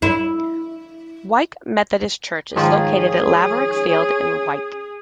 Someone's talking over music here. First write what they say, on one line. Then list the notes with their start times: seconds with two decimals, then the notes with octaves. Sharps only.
Wyke Methodist Church is located at Laverack Field in Wyke.
0.02 E4
2.56 G#2 D#3 F3 C#4 G#4